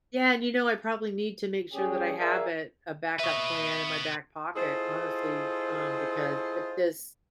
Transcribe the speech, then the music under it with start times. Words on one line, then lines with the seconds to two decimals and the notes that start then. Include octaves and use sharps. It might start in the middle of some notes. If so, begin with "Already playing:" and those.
Yeah, and, you know, I probably need to make sure that I have it a backup plan in my back pocket, honestly, um, because it is
1.74 G3 C#4 G4 G#4
2.19 G#4 A#4 D5 E5 F5 G#5
3.19 B4 D#5 E5 C#6
4.56 E4 F4 G#4 A4 C5 D#5